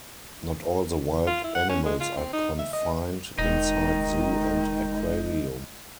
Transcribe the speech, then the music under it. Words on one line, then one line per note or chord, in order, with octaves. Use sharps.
Not all the wild animals are confined inside Zoo and Aquarium.
F4
E4
F#5
C#4
G#3
F4
C4
D#4
E5
D#5
E1 D#3 G#3 D#4